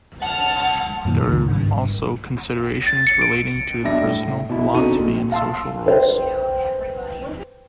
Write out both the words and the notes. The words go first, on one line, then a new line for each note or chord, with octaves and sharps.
There are also considerations relating to personal philosophy and social roles.
C2 F#5 A5 F6
F#2 A#2 D#3
C#2 D#3
G#1 G2
A6
C#7
D7
B2 G3 D4 E5 A#6
A2
B2 E4
B2 D3 C4 D#4 F#4 D#7
A#2
F5 A5 C6 E6
B4 C5 G5